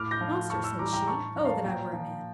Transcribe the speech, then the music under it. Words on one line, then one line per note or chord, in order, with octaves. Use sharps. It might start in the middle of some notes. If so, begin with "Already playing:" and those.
"Monster!" said she; "oh! that I were a man!"
Already playing: A2 D6 F6
G6 A#6
F3
A2 A5 C#6
C#6 E6
E3 G3 A#5 D6
G5 A#5
A2 A5 C#6
F3 A#5
F5 A5
A#2 G5 A#5
F3